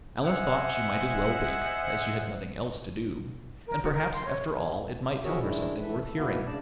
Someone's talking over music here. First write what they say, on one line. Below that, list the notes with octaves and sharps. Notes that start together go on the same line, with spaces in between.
Alice thought she might as well wait, as she had nothing else to do, and perhaps after all it might tell her something worth hearing.
C5 D#5 E5 F#5 G#5
A#4
F#4
A#4
C6
C#5
F3 F#4 G#4 A#4 C#5 E5
D#3 G#3 D4 E4
E3 A4 B4 E5
A4
B2 A#3 B3 E4
C#3 D4 D5 A5